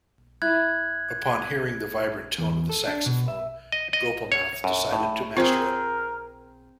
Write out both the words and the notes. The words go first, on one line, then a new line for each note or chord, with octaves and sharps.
Upon hearing the vibrant tone of the saxophone, Gopalnath decided to master it.
E4 F#6 G#6
E2
A4
D4
B2
E5
D#5
D#5
C#5
F#2
A2
C4 F4 G#4 A#4 C5